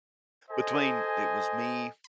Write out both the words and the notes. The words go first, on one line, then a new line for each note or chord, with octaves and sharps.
between it was me
A4 C5 D#5 G#5